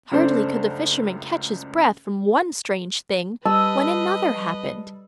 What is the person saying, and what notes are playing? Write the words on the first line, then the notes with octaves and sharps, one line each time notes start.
Hardly could the fisherman catch his breath from one strange thing when another happened.
C#2 F#2 A3 D4 C5
G3 B4 D#5 A5 E6